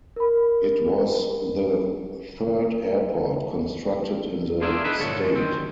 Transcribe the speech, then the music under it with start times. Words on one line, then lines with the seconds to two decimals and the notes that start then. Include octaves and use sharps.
It was the third airport constructed in the state.
0.16 A#4 B5
4.61 D4 F4 G4 G#4 A#4 E5
4.84 D#4 E4 A4 B4 D#5 E5
4.99 D2 G2 A#2 D3 A4 C#5
5.20 F2 G#3
5.36 D2 D#3 C4